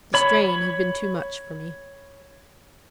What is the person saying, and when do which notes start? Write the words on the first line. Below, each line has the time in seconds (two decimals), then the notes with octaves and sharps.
The strain had been too much for me.
0.14 C#5 B5